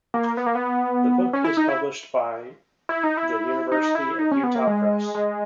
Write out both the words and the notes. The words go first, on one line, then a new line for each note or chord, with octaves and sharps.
The book is published by the University of Utah Press.
A#3
B3
A#3
B3
C#4
E4
D#4
E4
E4
D#4
E4
D#4
E4
D#4
C#4
B3
A#3
G#3
G#3